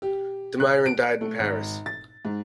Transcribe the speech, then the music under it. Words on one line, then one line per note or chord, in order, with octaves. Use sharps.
Damiron died in Paris.
G4
F#6
D7
A3
G#1
A6
G#2